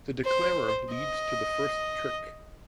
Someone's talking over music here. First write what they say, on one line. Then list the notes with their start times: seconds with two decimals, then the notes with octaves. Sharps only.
The declarer leads to the first trick.
0.24 C5
0.93 D#5